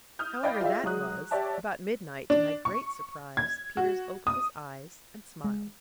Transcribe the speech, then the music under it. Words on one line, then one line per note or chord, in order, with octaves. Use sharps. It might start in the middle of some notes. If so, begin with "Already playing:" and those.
However that was, about midnight, to my great surprise, Peters opened his eyes, and smiled.
D#6 F6 G6
D5 D#5 F5 G5 B5 G6
F4 G#4 D5 E5
F#3 G#3 F#4 D#6 F#6
G4 C#5 D5 E5 A5
D4
C#6
G#6
F#4
D#6
G#3